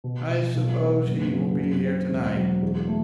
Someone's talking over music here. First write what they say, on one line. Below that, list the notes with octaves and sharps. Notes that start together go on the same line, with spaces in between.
"I suppose he will be here to-night?"
B2
B2
B1
B3
F#1
F#3
F#2
C4
E1
F#3
E2
A3